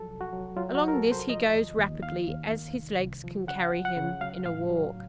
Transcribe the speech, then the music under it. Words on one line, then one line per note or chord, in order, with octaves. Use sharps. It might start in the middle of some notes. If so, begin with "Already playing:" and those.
Along this he goes rapidly as his legs can carry him--in a walk.
Already playing: F3 F#3 A4
C2
F#4
F#3
F#3 F4
F#4
F#3
A#4
A4
C2
C5
F3 D#5
D#2
D#2
D#2 F5
D#2
D#3
C2
C2
F3
C#3 F#5
F3
F#5
C#3
F#3 F5
A2 F5
F#3